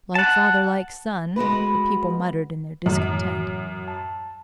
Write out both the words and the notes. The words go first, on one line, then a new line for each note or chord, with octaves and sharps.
"Like father like son," the people muttered in their discontent.
F#5 A5
G#3 B3 F#4 B4
F#2 A2 E3
A5